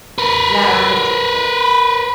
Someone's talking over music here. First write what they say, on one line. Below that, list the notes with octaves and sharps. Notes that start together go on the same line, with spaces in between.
Yeah, I remember these pictures.
A#4 B4